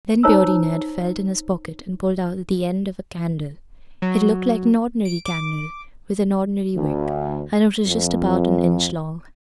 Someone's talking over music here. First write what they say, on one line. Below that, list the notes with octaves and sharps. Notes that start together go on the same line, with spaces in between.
Then Beardy Ned felt in his pocket and pulled out the end of a candle. It looked like an ordinary candle, with an ordinary wick, and it was just about an inch long.
D#4 C5 C#5 A5 A#5 E6
F#3
D7
D6
D2
F2